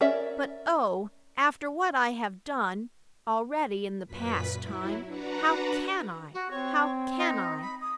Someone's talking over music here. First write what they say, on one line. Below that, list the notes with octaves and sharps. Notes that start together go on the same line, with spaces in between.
But, oh, after what I have done already in the past time, how can I? how can I?
C#4 A#4 C#5 D5 E5
F#2 A#2 B4 B6
F#3 E4
D4 F#4 B4 F#5 A#5
F#4
C4 C#5
D#4
B5
D#6